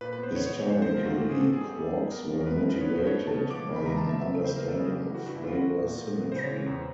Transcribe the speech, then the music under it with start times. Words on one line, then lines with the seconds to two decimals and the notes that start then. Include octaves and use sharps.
Historically, quarks were motivated by an understanding of flavour symmetry.
0.01 A#2 B4
0.13 B4
0.19 B3 C5
0.36 B3 C#5
0.47 C#5
0.53 B3
0.59 C#5
0.70 F3 C5
0.82 C5
0.88 G#3
0.94 A#4
1.01 F4
1.05 G#2 F#4
1.18 G4
1.24 B3
1.30 G#4
1.40 B3 A4
1.53 G#4
1.58 G3
1.65 G4
1.75 G3 A4
1.93 G3
2.10 B3 A#4
2.29 F3
2.41 A#4
2.45 G#3 B4
2.58 B4
2.63 F3
2.69 B4
2.80 B3 C#5
2.90 B4
2.98 B2 C5
3.07 C#5
3.16 B2
3.27 A5
3.34 B2
3.51 F3 D6
3.68 C#3
3.76 B5
3.85 G#3 A#5
3.97 A5
4.04 G#3 E5
4.21 C#3 E5
4.39 C#3
4.45 C5
4.56 A#3 A#4
4.68 A4
4.74 C#3
4.80 G#4
4.92 G2 G4
5.09 E3
5.15 F#4
5.26 G2 F#4
5.35 E4
5.43 G2 F4
5.52 F#4
5.61 G3
5.79 A#2
5.97 A#2
6.15 B3
6.32 C#3 C5
6.43 C#5
6.49 E3
6.66 E2